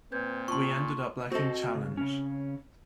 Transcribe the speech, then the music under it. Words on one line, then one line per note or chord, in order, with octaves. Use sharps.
We ended up lacking challenge.
A#2 C4 B4 G6 G#6
F4 A5 C6 C#6
C4 F#4 A4 D#5
C#3
C#3 C#4